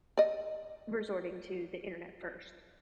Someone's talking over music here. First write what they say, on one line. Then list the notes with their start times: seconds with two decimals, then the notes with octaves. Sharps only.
resorting to the internet first?"
0.17 D5 D#5